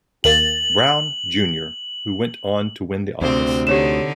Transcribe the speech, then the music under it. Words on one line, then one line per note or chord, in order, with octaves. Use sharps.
Brown, Junior who went on to win the office.
D#2 A#3 A6 F#7
D2 C3 C4 C5
D3 D#4 G4 C#5 E7